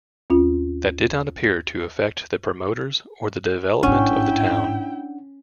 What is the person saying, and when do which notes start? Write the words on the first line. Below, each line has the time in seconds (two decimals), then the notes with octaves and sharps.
That did not appear to affect the promoters or the development of the town.
0.30 D#2 C#4 F4
3.83 A1 G#2 C#4 D4 E4 F#5 G5